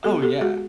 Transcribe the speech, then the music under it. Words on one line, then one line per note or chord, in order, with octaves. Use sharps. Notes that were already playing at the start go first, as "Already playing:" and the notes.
Oh, yeah.
B3 G4 A4
G4 A4
G#3 F#4 G#4